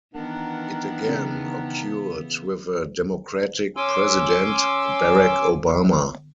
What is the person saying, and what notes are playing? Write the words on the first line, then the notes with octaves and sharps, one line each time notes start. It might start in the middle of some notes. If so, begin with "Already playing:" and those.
It again occurred with a Democratic President, Barack Obama.
D#3 E3 B3 D4 A#4 F#5
C#3
C#4 G#5 C6 D6 E6